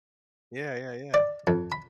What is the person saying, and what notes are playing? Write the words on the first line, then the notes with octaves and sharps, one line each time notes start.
Yeah, yeah, yeah.
D5
F2
B5